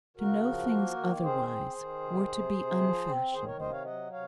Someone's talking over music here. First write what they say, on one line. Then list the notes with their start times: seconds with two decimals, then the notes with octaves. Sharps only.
To know things otherwise were to be unfashionable.
0.17 C#3 F#4 A#4
0.43 F3
0.69 A#3
0.96 D#3
1.22 C4 G#4 C5
1.48 C4
1.75 D#3
2.01 C3
2.27 C3
2.54 C3
2.80 F3
3.07 C4
3.32 D#3 G#4 C5
3.45 A#4 C#5
3.58 C3 C5 D#5
3.71 C#5 F5
3.84 F#3 D#5 F#5
4.11 C3 C#5 F5